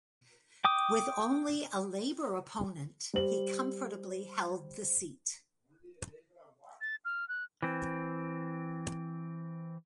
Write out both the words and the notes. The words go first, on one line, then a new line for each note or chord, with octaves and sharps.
With only a Labour opponent he comfortably held the seat.
G5 D6 D#6
G3 C5 F#7
A6
F6
F#6
E3 C4